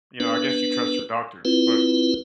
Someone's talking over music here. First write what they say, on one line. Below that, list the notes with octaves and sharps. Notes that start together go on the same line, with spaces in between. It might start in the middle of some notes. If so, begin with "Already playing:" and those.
you know, I guess you trust your doctor, but
B3 D4 B4
C4 E4 F4 B4